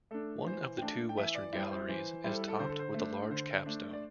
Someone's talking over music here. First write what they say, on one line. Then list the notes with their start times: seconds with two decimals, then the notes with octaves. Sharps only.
One of the two western galleries is topped with a large capstone.
0.11 A3 D4 A4
0.46 E3 C5
0.78 G5
0.82 A3 D4 A5
1.09 G5
1.18 E3 E5
1.35 D5
1.53 G3 E4 C5
1.71 C5
1.88 E3 C5
2.24 G3 E4 C5
2.32 A4
2.48 A4
2.59 D3 C5
2.69 A4
2.79 C5
2.94 A3 D4
3.31 D3 C5
3.66 A3 D4
3.93 D5